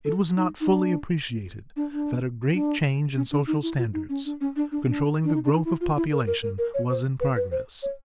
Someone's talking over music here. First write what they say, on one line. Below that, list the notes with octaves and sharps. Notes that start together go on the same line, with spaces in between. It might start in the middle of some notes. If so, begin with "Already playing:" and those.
It was not fully appreciated that a great change in social standards, controlling the growth of population, was in progress.
A4
D#4
D#4
D4
D4
D4
D4
C#4
D4
D#4
E4
F4
D#4
C#4
D4
C#4
D4
D4
D4
D4
D#4
D4
D#4
E4
F4
E4
A#4
A#4
A#4
A#4
C#5
C5
B4
B4
C5
C#5